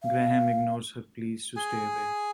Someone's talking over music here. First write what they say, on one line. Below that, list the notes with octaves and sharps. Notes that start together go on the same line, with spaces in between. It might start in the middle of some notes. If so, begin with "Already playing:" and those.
Graham ignores her pleas to stay away.
F5
G#4 G#5